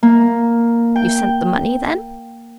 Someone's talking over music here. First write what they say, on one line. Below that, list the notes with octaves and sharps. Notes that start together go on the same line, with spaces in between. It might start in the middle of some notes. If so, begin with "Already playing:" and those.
"You sent the money, then?"
A#3
G5